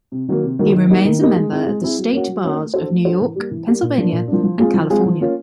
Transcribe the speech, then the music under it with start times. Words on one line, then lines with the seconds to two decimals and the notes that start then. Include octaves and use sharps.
He remains a member of the State Bars of New York, Pennsylvania and California.
0.12 C3
0.28 D#3 F#3 A#3
0.43 C3
0.59 D#3 F#3 A#3
0.74 D#3
0.90 G3 A#3 D#4
1.05 D#3
1.21 G3 A#3 D#4
1.36 G#3
1.52 C4 E4 G#4
1.66 G#3
1.81 C4 E4 G#4
1.98 F#3
2.13 A#3 C#4 F#4
2.27 F#3
2.44 A#3 C#4 F#4
2.58 A3
2.74 D4 F#4 A4 C5
2.90 A3
3.05 D4 F#4 A4 C5
3.21 E3
3.35 G3 A#3
3.51 E3
3.67 G3 A#3
3.82 A#2
3.98 F3 A#3 D4
4.12 A#2
4.28 F3 A#3 D4
4.44 F3
4.59 G#3 C4 F4 G#4
4.74 F3
4.90 G#3 C4 F4 G#4
5.06 F3
5.20 A#3 C#4 F4